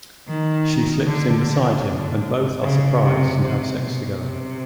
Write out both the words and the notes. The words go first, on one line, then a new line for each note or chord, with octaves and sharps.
She slips in beside him and both are surprised and have sex together.
D#3
D3
D3
D3
C#3
C3
C3
B2
C3